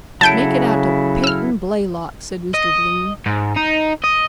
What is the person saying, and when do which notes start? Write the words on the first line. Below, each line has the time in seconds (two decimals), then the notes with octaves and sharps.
"Make it out to Peyton Blaylock," said Mr. Bloom.
0.21 C#3 F#3 E4 A4 A5 G6 D7
1.24 E6 F6
2.54 D#5
3.26 G#2
3.57 D#4
4.04 D#5